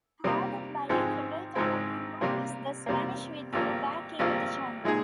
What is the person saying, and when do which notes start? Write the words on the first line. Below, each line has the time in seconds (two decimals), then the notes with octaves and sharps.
Pounded by accurate American volleys, the Spanish withdrew back into the jungle.
0.24 C3 G3 A#3
0.89 G#1 G#2 F3 G#3 C4
1.55 G#1 G#2 F3 G#3 C4
2.21 C3 G3 A#3
2.86 C3 G3 A#3
3.53 G#1 G2 F3 A#3
4.19 G#1 G2 F3 A#3
4.84 A#2 G#3 D#4 G#4